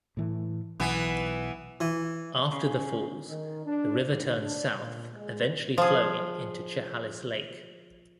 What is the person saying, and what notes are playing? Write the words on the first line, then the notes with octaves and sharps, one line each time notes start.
After the falls, the river turns south, eventually flowing into Chehalis Lake.
A2 E3 A3
B1 E3 B3
E3
C#3
D#3
D4
G#1
D4
A#2
G#3
F3 G#4